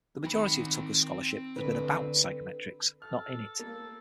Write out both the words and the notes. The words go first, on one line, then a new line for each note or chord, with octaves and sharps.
The majority of Tucker's scholarship has been about psychometrics, not in it.
D#3 C4 B5
D3 B4
A4 F6
A#3